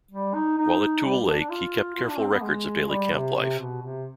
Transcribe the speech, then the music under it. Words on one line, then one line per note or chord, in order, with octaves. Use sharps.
While at Tule Lake, he kept careful records of daily camp life.
G3
D#4
D#4
G3
D4
D4
F4
F4
D4
C4
B3
G#3
G3
C3
C3
B2
C3